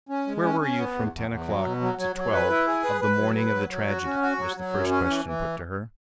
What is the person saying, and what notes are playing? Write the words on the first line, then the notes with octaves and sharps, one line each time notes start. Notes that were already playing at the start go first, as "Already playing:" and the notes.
"Where were you from ten o'clock to twelve of the morning of the tragedy?" was the first question put to her.
C#4
G#3
C#4
C#4
B3
E2
E2
E2
F#3
B2
F#3
F#3
F#3
B4
E4
G#4
B4
B4
F#3
B4
F#3
F#3
F#4
C#4
F#4
F#3
F#3
F#2
C#4
E3
E3